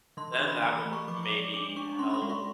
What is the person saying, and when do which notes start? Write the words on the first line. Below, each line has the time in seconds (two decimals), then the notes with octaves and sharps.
then that would maybe help
0.17 E3 C6
0.32 C6
0.40 D4
0.47 B5
0.62 E3 A#5
0.78 B5
0.85 A3
0.93 C#6
1.08 F3 D6
1.23 D6
1.31 G#3
1.38 D6
1.54 D4 D6
1.76 D4 C#6
1.99 C#4 C6
2.10 B5
2.14 C6
2.22 G#3
2.29 C#6